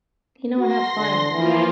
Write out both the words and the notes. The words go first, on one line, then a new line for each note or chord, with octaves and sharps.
you know, and have fun."
F#4 C6 A#6
D3
E3 F3 A#3 F4